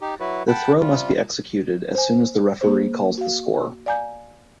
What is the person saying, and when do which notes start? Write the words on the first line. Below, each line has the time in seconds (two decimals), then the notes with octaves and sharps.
The throw must be executed as soon as the referee calls the score.
0.01 D#4 G4
0.20 F#3 E4 F#4 B4
0.48 F#5 G5 A5 B5
0.80 C3 G3 F4
1.95 C5 G#5
2.61 A#3 G#4 C5
3.18 F#4 F5
3.86 D5 F5 G#5 A#5 G6